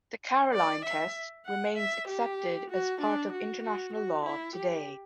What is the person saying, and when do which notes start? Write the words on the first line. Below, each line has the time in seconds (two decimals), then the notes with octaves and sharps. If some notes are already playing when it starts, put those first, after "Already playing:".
The "Caroline" test remains accepted as part of international law today.
0.54 D5
0.85 E5
1.46 F#5
1.77 E5
2.08 G4
2.70 F#4
3.01 D4
3.32 F#4
3.63 F#4
3.93 F#4
4.25 E4
4.56 G4